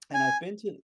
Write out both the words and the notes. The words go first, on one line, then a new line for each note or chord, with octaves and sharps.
And I've been to
G#5